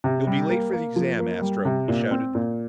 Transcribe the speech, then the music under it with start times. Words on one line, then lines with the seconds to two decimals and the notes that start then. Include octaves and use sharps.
"You'll be late for the exam, Astro!" he shouted.
0.04 C3
0.27 G3
0.50 A#3
0.73 A#3
0.96 F3
1.19 A#3
1.41 G3
1.65 C3
1.88 A#2
2.11 C4
2.35 A#2